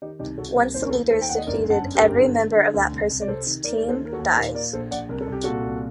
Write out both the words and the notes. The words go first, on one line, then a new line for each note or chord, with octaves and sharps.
Once the leader is defeated, every member of that person's team dies.
D#3 D#4 G4
C2 D#4 G4
C2 F#4 A4
C2 G4 A#4
D#2 C5
A#4
A4 C5
D#2
D#2 A4 C5
G5
D#2 F#5
D#5
G1 A#4 D5
F#2
F#5 A5
F#2
G4 A#4
G1
D3
D3
D3
D2
C2
C2
D5
C3 A4 C5
D#3
D#2 A#4 D5
D5
D#2
A4 C5
D#3
A#4
F#4 A4
D#2
A#2 G4 A#4
A#2 A#4 D5
A#1 A4 C5
A#1 D5 F#5
C2 A#4
A4
C2
G4
A#2 F#4 A4
C2